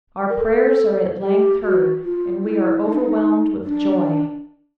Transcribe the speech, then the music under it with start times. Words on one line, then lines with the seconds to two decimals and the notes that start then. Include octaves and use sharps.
'Our prayers are at length heard, and we are overwhelmed with joy.
0.30 A#4
0.40 A4
1.22 G4
1.62 F#4
2.04 F4
2.44 E4
2.85 D#4
2.92 D4
3.01 D#4
3.66 D4